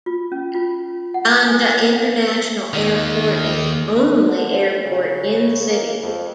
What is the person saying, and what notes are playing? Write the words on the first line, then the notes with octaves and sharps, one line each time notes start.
Ganja International Airport is the only airport in the city.
F4
C#4
F4
F#5
G#5
F5
E6
D#2 D#3
D3
C#3
A#3
F2